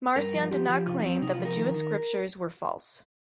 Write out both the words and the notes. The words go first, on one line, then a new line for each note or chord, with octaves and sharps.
Marcion did not claim that the Jewish scriptures were false.
G2 A#4
F3
F3 G4
F3 G4
C3 F4
D#4
F2 C4
C3 D#4
F4
F3
A#4
D#3
D#3